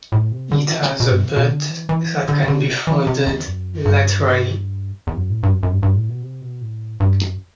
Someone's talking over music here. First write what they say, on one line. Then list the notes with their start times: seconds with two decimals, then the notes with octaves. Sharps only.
It has a butt that can be folded laterally.
0.12 A2
0.32 C3
0.51 D3
0.71 E3
0.81 D3
0.91 C3
1.00 B2
1.10 G2
1.24 E2
1.36 B2
1.50 D3
1.69 E3
1.89 E3
2.29 D3
2.48 D3
2.87 E3
3.07 C3
3.27 E2
3.47 F#2
3.85 G2
5.07 E2
5.16 F#2
5.30 A2
5.43 G2
5.53 F#2
5.63 F#2
5.72 G2
5.83 G2
5.96 A2
6.09 B2
6.22 C3
6.41 B2
6.61 A2
7.00 G2
7.21 F#2